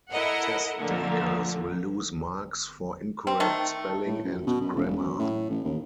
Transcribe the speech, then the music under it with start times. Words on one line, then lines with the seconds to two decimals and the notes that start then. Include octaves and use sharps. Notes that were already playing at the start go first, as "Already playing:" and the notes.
Test takers will lose marks for incorrect spelling and grammar.
0.11 E4 A4 A#4 D#5 F#5
0.77 A#2 D3 F3 A3 A#3
3.27 C4
3.40 D#3 A3
4.06 A2
4.24 F#2
4.47 B2
4.61 F#2
4.76 E1
4.97 F#2
5.19 A2
5.50 A1
5.65 D#2